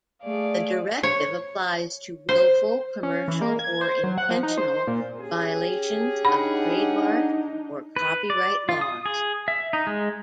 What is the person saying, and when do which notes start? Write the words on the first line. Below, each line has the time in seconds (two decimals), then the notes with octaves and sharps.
The Directive applies to "willful, commercial or intentional" violations of trademark or copyright laws.
0.22 A3 G#4 D5 F5
1.03 C#5
2.29 C5
3.03 C#4
3.28 E3
3.41 A#3
3.59 G#6
3.81 C5
4.04 F#3
4.18 F#5
4.31 F3
4.43 D#4
4.58 C5
4.87 A#2
5.18 C#4 G4 G#4
6.25 D4 D#4 F#5 B5
7.96 B4
8.30 D5
8.69 F4
8.81 D#6
9.06 G#4
9.48 E5
9.73 D#4
9.87 G#3